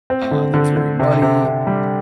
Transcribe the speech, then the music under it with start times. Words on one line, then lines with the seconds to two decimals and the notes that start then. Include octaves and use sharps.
uh, that was very muddy
0.10 C4
0.31 D3
0.54 D3
0.77 D3
0.99 C3
1.22 C3
1.45 C3
1.67 G3